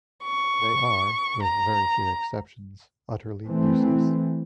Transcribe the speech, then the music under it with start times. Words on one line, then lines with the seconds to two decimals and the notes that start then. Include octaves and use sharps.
They are, with very few exceptions, utterly useless.
0.24 C#6
1.43 A#5
3.45 E3 A3 C4